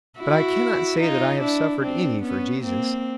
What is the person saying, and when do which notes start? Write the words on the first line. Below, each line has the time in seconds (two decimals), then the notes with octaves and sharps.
But I cannot say that I have suffered any for Jesus.
0.19 E4 F#4
1.01 D#4 F4
1.41 D4 E4
1.82 C4 D4
2.23 B3 C#4
2.63 A#3 C4